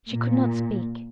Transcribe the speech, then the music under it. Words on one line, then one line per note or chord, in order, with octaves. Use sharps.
She could not speak.
A#2